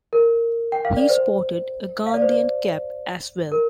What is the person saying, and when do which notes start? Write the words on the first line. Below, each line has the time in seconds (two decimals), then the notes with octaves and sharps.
He sported a Gandhian cap as well.
0.13 A#4
0.72 G5
0.85 F5
0.97 D5
1.09 C5
2.06 F5
2.14 D5
2.22 C5
2.29 D5
3.52 A#4